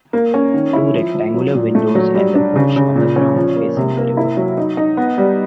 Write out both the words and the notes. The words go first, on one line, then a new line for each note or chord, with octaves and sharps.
Two rectangular windows and the porch, on the ground, facing the river.
A#3
C#4
D#3
E4
F3
F3
F#3
A#2
A3
F#3
G3
D4
C#3
C#3
A#2
C#4
F3
A#3
C3
A#3
E4
F#3
D#4
D#4
B3
G3